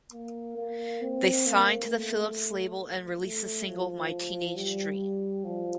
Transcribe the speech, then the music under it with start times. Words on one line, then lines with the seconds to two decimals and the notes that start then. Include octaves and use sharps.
They signed to the Philips label and released the single "My Teenage Dream".
0.12 A#3
0.57 A#3
1.02 C4
1.46 A#3
1.89 A3
3.24 A3
3.68 F3
4.56 G3
5.44 F3